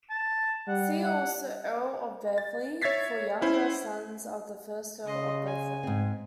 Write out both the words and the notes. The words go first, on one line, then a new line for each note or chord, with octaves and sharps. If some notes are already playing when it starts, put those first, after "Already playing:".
See also Earl of Beverley for younger sons of the first Earl of Beverley.
A5
G3 F#5
F#5
A6
C#5 E5 G#6 A6 B6 C7
C#4 E4 C5
C#3 D#5 C6
G#5
G#2 C4